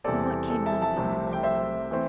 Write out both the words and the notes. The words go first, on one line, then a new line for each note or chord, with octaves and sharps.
'And what came out of it in the long run?'
E2 C3 G3 C4 A4 D5
A4
E5 A5
E5 A5
C2 C3 A3 C4
G5
C5 E5
E3 A3 C4